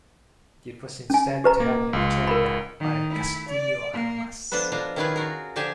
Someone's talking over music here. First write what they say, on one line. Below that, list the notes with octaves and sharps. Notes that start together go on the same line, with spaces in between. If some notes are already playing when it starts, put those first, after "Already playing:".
It was instead to have been carried out by Castillo Armas.
C#4 G#5
G4 B4 A#5
A#3
C#2 F4
A#4 B5
D#3
A3 E4
D5
A#3
F3 B3 D4 A4 B4
B2 F3 D4 F4 A#5
D#3 C#4 E4 F4 G#4 B4
F4 F#4 A#4
D3 F3 G4 G#4 G#5 A5